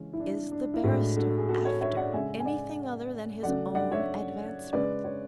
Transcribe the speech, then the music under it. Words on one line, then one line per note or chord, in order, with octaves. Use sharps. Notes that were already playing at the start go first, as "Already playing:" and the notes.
Is the barrister after anything other than his own advancement?
Already playing: C#3 E3 G#3 C#4
E4
D4
D4
E4
A2 G#3 D4 F#4
F#4 A4
G#4
F#4 A4
A4 C#5
C#5 E5
D5 F#5
C#3 G#3 E5 G#5
G#5
D5 F#5
C#3 F#3 A3 D5 F#5
D5 F#5
C#5 E5
C#3 G#3 B4 D5
C#5